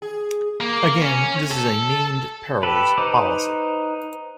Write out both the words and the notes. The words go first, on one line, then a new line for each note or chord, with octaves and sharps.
Again, this is a "named perils" policy.
G#4
A#3
C#4
A4
G4 A4 B4
D#4 B4 C5 D6